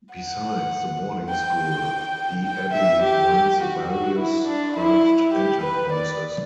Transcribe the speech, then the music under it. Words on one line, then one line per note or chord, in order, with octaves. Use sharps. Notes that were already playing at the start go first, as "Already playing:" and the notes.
Besides the boarding school, the abbey runs various craft enterprises.
F#5
G5
G5
E5
G4
F#4
F#4
E4
D4
E4
G4
B4
D5